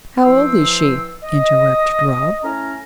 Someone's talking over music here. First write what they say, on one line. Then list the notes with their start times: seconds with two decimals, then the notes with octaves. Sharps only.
"How old is she?" interrupted Rob.
0.23 E3 F3 C5 G5 E6
1.23 D#5
2.43 A2 C#4 A#5